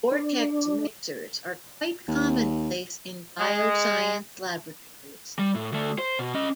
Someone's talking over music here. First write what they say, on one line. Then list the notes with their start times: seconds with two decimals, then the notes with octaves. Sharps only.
Vortex mixers are quite commonplace in bioscience laboratories.
0.12 D4
2.07 D#2
3.40 G#3
5.39 G3
5.55 A2
5.72 D2 A3
5.99 C5
6.19 B2
6.34 C#4 D#5